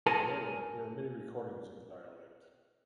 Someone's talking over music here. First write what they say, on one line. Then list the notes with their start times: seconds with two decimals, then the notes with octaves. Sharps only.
However there are many recordings of the dialect.
0.07 A#4 G#5 A5